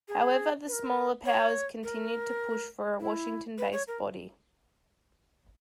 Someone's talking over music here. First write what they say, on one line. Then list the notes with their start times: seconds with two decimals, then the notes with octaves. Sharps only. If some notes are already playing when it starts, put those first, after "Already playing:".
However the smaller powers continued to push for a Washington-based body.
0.08 G#4
0.68 B4
0.73 A#4
1.25 C#5
1.83 A#4
3.00 E4
3.58 B4
3.72 C#5
3.88 A#4